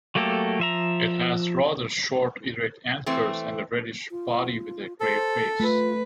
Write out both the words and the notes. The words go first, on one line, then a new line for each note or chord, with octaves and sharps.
It has rather short, erect antlers and a reddish body with a grey face.
F#3 A3 A#3 G4 A4
F3 E5 A#5
E3 A3 C4
F4
A4 C5
A3 F4 B4